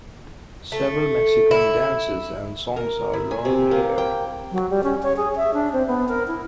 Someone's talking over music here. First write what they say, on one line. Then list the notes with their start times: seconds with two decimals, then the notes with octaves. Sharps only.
Several Mexican dances and songs are learned here.
0.72 A3
1.51 E4
2.76 A#4
3.13 E4
3.31 G#5
3.45 C3
3.71 A#3
3.98 G5
4.52 F#3
4.71 G3
4.84 C#4
5.03 C#5
5.17 G#4
5.36 E5
5.54 D4
5.73 C4
5.87 B3
6.08 A#4
6.28 E4